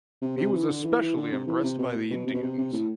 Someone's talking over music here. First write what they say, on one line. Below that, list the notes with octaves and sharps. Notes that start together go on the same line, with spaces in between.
He was especially impressed by the Indians.
C3
C3
E3
D3
E3
E3
D3
C3
E3
C3
B2
A2
B2
C3
B2
C3
C3
A2